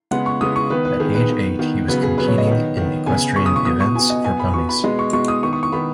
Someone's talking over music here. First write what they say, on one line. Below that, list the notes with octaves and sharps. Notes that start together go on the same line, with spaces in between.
At age eight he was competing in equestrian events for ponies.
C#3 G#3 B3 F#5
C#6
C#3 G#3 B3 D#6
C#6
D#3 B3 B4
B4
D#3 B3 G#4
B4
D#3 B3
D#3 B3
C#3 F#3 B3 B4
G#4
C#3 F#3 B3 B4
C#5
D#5
D#3 B3
D#3 B3
C#3 B3 G#5
C#3 B3 C#6
D#6
C#6
B2 B3 D#6
C#6
B2 B3 G#5
D#5
B2 B3 G#5
B5
B2 B3 C#6
B5
B2 G#3 B3 D#5
C#6
B2 G#3 B3 C#6
D#6
D#3 B3 C#6
C#6
C#6
D#3 B3 B5